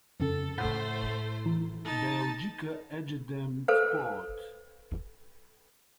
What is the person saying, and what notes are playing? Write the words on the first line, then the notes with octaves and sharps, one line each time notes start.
Belgica Edegem Sport.
F2 C#3 A4
A2 A3 C5 F#5 B5 G6
E3
D#4 A5
A4 B4 C5 F5